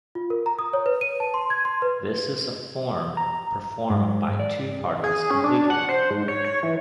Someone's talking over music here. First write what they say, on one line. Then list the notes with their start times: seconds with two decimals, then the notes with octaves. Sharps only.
This is a form performed by two parties competently.
0.15 F4
0.30 A#4
0.46 A#5
0.59 D#6
0.73 C#5
0.86 B4
1.01 D#7
1.20 A5
1.34 C6
1.50 G#6
1.65 C6
1.82 B4
3.17 A#5
3.90 G#2
4.40 D5
5.04 G#4
5.30 C#4
5.44 D4
5.70 F#5
5.89 C5
6.10 G#2
6.28 C#5
6.44 C#5
6.63 E3